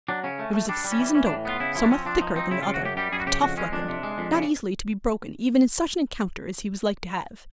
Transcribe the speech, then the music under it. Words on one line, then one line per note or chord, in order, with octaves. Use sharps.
It was of seasoned oak, somewhat thicker than the other, a tough weapon, not easily to be broken even in such an encounter as he was like to have.
F#3 D4
C#3 C#4
A3
A3
G3 D4
G3
C#4
E3
E3 C#4
D4
A2
B3 F4
C#3 E4
F3 E4
D4
C4 C#4
F3 D4
F3 D#4
C4 D#4
C#3 E4
F4
C#3
F#4
F#2 G4
G3 G4
F#2 G#4
F#4
C#3 G4
F2 F#4
G#3 C#4
F2 D4
C3
G#3
F2
C#3